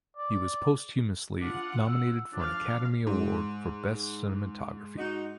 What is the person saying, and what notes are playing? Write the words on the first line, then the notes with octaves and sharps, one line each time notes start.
He was posthumously nominated for an Academy Award for Best Cinematography.
D5
D4 F4 F#5
E6
F3 D4 F5
G#2
D#4 F#4